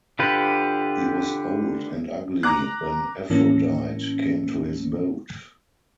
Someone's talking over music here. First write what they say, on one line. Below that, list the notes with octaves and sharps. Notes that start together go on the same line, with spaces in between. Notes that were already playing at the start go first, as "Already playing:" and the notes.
He was old and ugly when Aphrodite came to his boat.
D3 F4 G4 B4
A#5 D6 F#6
A2 E3 A#3 C#4